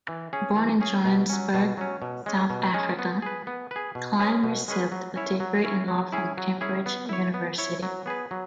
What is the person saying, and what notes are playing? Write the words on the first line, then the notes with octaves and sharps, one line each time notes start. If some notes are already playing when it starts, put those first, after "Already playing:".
Born in Johannesburg, South Africa, Klein received a degree in law from Cambridge University.
E3
C#4 G#4
E3
C#4 G#4
B2
F#3 C#4
B2
F#3 C#4
B2
G#3 C#4
B2
G#3 C#4
B3
G#4 B4
B3
G#4 B4
B2
G#3 C#4 G#4 B4
B2
G#3 C#4 G#4 B4
F#3
C#4 E4 C#5
F#3
C#4 E4 C#5
F#3
C#4 E4 G#4
F#3
C#4 E4 G#4
B3
E4 C#5
B3
E4 C#5
F#3
B3 G#4 B4
F#3